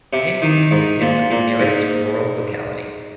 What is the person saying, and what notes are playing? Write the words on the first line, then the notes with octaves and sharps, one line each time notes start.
Panki is the nearest rural locality.
C3
D#3
G#2
A#2
A#2
G#2